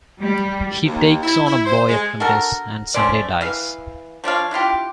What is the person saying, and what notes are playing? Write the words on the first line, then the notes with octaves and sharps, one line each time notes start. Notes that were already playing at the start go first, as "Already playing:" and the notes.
He takes on a boy apprentice and Sunday dies.
G3
D#2
E4
E4
C5
G#3
D4 F#4 A4 A#4
A3 C#4 C5 D5
E3 F5
F3 D4 C#5 F5
D4 E4 F4 G4